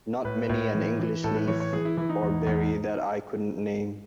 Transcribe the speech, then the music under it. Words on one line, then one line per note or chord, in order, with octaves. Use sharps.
Not many an English leaf or berry that I couldn't name.
A2 B4
A2
E3
E3
A2 A4
B4
E3 C#5
C#5
E3 G#4
E4
E3 E4
D#4
E2
E2